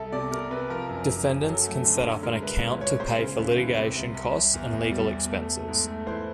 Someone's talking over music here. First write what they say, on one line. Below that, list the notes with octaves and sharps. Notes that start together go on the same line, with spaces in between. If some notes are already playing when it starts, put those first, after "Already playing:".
Defendants can set up an account to pay for litigation costs and legal expenses.
Already playing: C2 A4
C3 D5
C3 A#4
C3 B4
F3 A#4
F#2
F#2
F#2
F#3 A4
A3
D3
D3
G#3 A#4
C2 B4
A#2
C2 C#5
G#3 C5
C#3
D#2
E3
C3
C2
C2
C2
E2
E2
G3
E2
A3
A3
G#2
A3
E3 C5